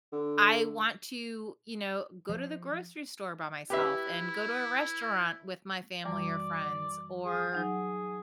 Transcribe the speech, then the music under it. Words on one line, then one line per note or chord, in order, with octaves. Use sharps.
I want to, you know, go to the grocery store by myself, and go to a restaurant with my family or friends, or
D3
F3
E4 G4 B4 E5
F#2 E3 G3 D5
G#4
F#3 D#4 G#4 F#5